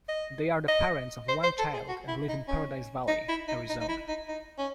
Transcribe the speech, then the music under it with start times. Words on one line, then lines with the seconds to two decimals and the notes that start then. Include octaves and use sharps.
They are the parents of one child and live in Paradise Valley, Arizona.
0.08 D#5
0.68 D#5
1.28 C5
1.43 C5
1.58 A4
1.73 G#4
1.88 F#4
2.08 E4
2.28 D#4
2.48 C#4
3.08 D#4
3.29 E4
3.48 D#4
3.69 D#4
3.80 D#4
3.89 E4
4.08 D#4
4.28 D#4
4.58 C#4